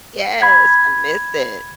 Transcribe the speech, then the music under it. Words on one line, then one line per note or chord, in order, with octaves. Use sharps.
Yes, I miss it.
B5 G#6